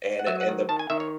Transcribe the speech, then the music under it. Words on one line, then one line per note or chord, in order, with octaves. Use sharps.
and it and the
F#5
F#3 E5
F#5
D#3
D#3 A5
G#5
D#3 E5
C#5